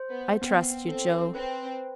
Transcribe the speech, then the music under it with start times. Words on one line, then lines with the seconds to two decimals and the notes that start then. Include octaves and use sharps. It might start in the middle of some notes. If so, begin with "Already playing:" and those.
'I trust you, Jo.
Already playing: C5
0.09 B3
0.42 B3 C4
0.88 C4 A4
1.34 C4 B4